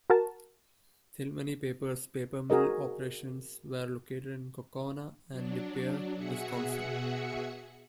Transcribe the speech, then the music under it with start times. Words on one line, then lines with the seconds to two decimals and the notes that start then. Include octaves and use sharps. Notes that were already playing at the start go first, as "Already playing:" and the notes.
Thilmany Papers paper mill operations were located in Kaukauna and De Pere, Wisconsin.
0.10 F#4 A#4 A5
2.50 F#4 G#4 A#4 D#5
5.31 F#3 D4
6.15 B2 F#4 G#4 E5 F#5 C#7